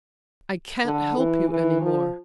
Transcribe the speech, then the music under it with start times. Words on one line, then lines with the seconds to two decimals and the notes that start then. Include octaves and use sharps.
I can't help you any more.
0.85 D3
1.17 E3
1.49 E3
1.81 F3